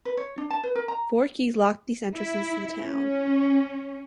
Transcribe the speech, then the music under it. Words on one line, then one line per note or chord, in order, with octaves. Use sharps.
Four keys locked these entrances to the town.
B4
C#5
D4
A5
B4
A#4
A#5
E4
C#4